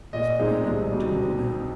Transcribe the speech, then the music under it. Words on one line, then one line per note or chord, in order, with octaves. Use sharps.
It was playing it too low down.
A#2 D#5
F3 G#3 C4 D#4
C2
B2 G3 C4 D#4